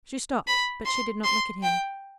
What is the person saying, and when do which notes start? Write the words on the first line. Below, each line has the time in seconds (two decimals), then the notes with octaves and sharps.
She stopped, but she did not look at him.
0.47 B5
0.85 C6
1.24 C6
1.63 G5